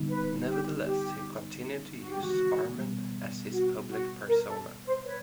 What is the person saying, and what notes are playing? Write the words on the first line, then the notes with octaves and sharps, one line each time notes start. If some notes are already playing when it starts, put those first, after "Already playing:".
Nevertheless, he continued to use "Arman" as his public persona.
Already playing: D3 G3 B3 D#4
B4
G4
G4
F#4
G4
F#4
B2 G3 B3
F#4
F#4
A#4
A4
C5
B4 C#5